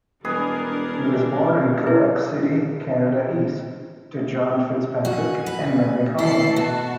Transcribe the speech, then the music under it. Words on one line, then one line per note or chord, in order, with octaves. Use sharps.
He was born in Quebec City, Canada East, to John Fitzpatrick and Mary Connolly.
E1 G3 D4 G#4 A#4 B4 D#5
D#4 E4 G#4 B4 E5
F#4 G#5
B4
E3 E4 A4 C7
B2 F#4 A5